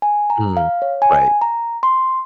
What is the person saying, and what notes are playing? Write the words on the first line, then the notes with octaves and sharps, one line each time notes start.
Mm, right.
G#5
A#5
F5
C#5
G#5
A#5
C6